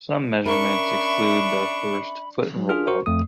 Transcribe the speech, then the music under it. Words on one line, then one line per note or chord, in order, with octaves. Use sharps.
Some measurements exclude the first foot-rollout.
C#4 D4 A#4 E5 B5 C#6
F#3
D4 F4 G#4 F6
F#4 A#4 C5 C#6
F2 A3 D#6